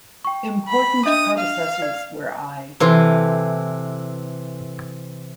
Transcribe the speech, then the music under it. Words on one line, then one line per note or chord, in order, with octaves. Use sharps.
Important predecessors were I.
G5 C#6
B5
D4 D#5 E5 D#6
F5
D5
C3 E3 A4 C6